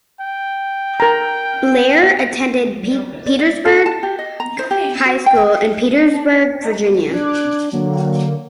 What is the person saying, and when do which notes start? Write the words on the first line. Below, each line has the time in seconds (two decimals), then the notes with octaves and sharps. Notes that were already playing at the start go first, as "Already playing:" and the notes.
Blair attended Petersburg High School in Petersburg, Virginia.
0.20 G5
1.00 A#4 A#5
3.26 D5
3.39 D5
3.65 A4
3.86 A5
4.03 G4
4.19 D#5
4.40 A#5
4.59 C5
4.71 G4
5.06 F#4
5.26 G5
7.13 D4 D6 F#6 G#6
7.73 D3 F#3 A#3